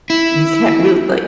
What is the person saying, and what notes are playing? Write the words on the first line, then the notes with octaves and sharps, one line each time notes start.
you can't really, like
E4